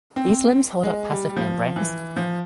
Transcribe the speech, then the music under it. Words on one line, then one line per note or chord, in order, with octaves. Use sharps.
These limbs hold up passive membranes.
C4
G#3
G3
G3
F3
E3
F3